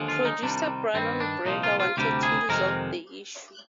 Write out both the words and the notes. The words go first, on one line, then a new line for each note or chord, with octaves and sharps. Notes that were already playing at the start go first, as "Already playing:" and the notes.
Producer Brannon Braga wanted to resolve the issue.
Already playing: D#2 D3 F3 G#3
F4
D#4
C2 C3 D#3 G3 D4
G2 D#3 G3 C4
D4
C2 A#2 F3 D#4
F4
F4
D2 C3 G3 G4
G#4
F2 C3 D#3 G#3 A#4